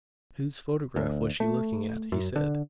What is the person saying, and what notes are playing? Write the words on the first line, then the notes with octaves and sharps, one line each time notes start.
"Whose photograph was she looking at?" he said.
D2
A3
F#2
D3